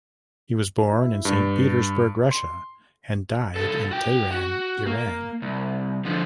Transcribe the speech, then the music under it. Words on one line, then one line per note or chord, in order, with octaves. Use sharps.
He was born in Saint Petersburg, Russia and died in Tehran, Iran.
E4
G2
C6
C2 A4
F#4 G5
F#4
A#3
C2
D3 F3